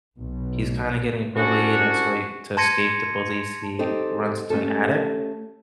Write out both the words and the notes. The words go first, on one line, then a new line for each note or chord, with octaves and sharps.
he's kinda getting bullied, and so he to escape the bullies, he runs into an attic,
B1
C2 C#4 D4 F#4
A5 C6 G#6 A#6 C#7 D#7
C4 D#4 G4 A4 C5
A3 C#4 G4 A4